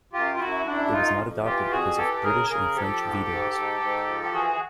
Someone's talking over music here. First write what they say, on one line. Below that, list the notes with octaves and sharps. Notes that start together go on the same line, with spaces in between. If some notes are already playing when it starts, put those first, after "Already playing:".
It was not adopted because of British and French vetoes.
F#2 F4 G4
F4
F#2 E4 F#4
F#2 D4 E4
F#2 D#4 F4
F2
E3 F4 G4
F2 F#4 G#4
E3 G4 A4
A4
C#3 G#4 A#4
C#3 G#4 A#4
F3 G4 A4
G#2
G#2
G#2
G#2
F3
G4
E3 F#4 G#4